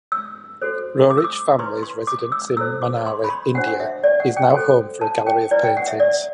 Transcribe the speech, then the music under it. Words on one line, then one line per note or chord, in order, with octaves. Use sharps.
Roerich family's residence in Manali, India, is now home for a gallery of paintings.
E6
F#4 A4 C5
D6
E6
D6
E4 B4 C6
C6
D6
E6
E4 A4 C5 E6
D6
C6
B5
C6
D4 F#4 C5 F#5
F#5
E5
D5
F#5
G5
F#4 A4 C5
A5
G5
E4 B4 D5
G5
F#5
E5
D5